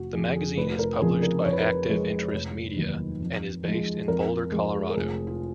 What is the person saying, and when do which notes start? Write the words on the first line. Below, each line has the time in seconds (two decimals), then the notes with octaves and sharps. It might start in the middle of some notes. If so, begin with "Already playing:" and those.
The magazine is published by Active Interest Media and is based in Boulder, Colorado.
Already playing: F1 F#4
0.13 F2 G#4
0.17 F3
0.36 G#4
0.57 F1 B4
0.79 A#4
1.01 F2 C#3 F3 G#4
1.23 A#4
1.46 F2 C#5
1.53 B4
1.60 A#4
1.66 B4
1.89 F3 G#3
2.33 F1
2.76 D#2 D#3 F#3
3.20 F2
3.64 F3 G#3
4.08 F2 A#4
4.52 F3 G#3
4.90 A#4
4.96 F1 G#4
5.27 F4